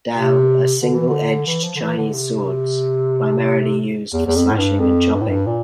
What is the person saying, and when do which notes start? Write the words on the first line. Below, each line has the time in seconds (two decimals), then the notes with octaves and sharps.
Dao are single-edged Chinese swords, primarily used for slashing and chopping.
0.14 C3
0.81 D3
0.94 E3
1.08 D3
1.47 E3
1.64 F3
1.76 D3
1.80 E3
1.97 D3
2.14 C3
4.14 E2
4.26 E2
4.36 F2
4.51 A2
4.58 G2
4.80 F2
5.14 G2
5.21 A2
5.28 G2
5.46 A#2